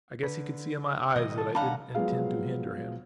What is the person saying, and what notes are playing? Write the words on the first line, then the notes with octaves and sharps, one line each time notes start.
I guess he could see in my eyes that I didn't intend to hinder him.
D3 B4
B2 D#3 G3 D#5 D#6
A4
D4 D#4 F5 F#5 A5 B5
F3 F#3 G#3 B3 G#4 F5